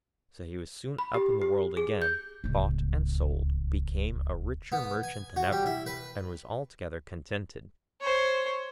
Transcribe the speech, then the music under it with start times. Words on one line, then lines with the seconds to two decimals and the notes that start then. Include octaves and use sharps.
So he was soon up in the world again, bought and sold, became a richer merchant than ever, and was altogether contented.
0.99 B5
1.14 G4
1.42 G4
1.77 G#4
2.02 G6
2.44 D1 C#2
4.72 B3
5.03 G#5
5.36 F#4
5.52 G3
5.66 E4
5.86 B4
8.01 C5 C#5